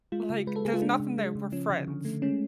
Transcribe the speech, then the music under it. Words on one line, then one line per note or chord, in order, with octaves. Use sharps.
like, "There's nothing there, we're friends."
G#3 F4
C#3
G#3 B4
A4
C#3 G#4
F4
G#3 D4
C#3
G#3
C#3
F3 C#4
D3
D3
A3
G#3 C#4